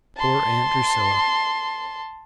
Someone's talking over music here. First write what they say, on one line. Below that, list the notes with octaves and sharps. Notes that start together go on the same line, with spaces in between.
"Poor Aunt Drusilla!"
A5 C6